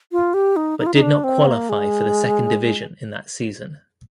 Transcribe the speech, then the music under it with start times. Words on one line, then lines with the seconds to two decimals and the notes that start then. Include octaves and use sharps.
But did not qualify for the second division in that season.
0.12 F4
0.34 G4
0.56 D#4
0.79 D#4
0.86 F4
0.94 D#4
1.02 D4
1.24 C4
1.47 A#3
1.69 G#3